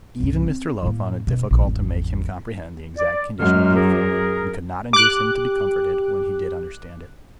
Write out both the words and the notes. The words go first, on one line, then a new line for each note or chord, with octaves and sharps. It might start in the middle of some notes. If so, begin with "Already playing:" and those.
Even Mr. Low found it difficult to make him comprehend the exact condition of the affair, and could not induce him to be comforted when he did understand it.
C2 G2
C4
A2 A#3
F#1 B2
A#1
G#1 E2
D5
F#2 G#3 F6
G#4 A#4
G4 D6 F#6